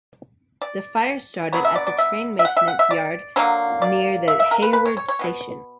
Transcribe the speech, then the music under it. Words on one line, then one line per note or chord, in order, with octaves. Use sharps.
The fire started at the train maintenance yard near the Hayward station.
D5
D3 F#3 B3 C#5
E5
D5
D5
E5
E5
F#5
E5
F#5
E5
D5
D3 F#3 A#3 C#5
D5
E5
E5
A#4
B4
B4
C#5
C#5
C#5
B2 F#3 B3